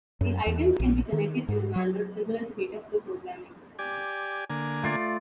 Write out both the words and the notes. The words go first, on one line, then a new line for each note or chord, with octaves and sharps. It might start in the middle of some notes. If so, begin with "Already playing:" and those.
The items can be connected in a manner similar to dataflow programming.
F#2
E2
A#1
D#3
G#2
F#3
G4 D5 G#5
D3 A#3 G#5
A3 F4 D5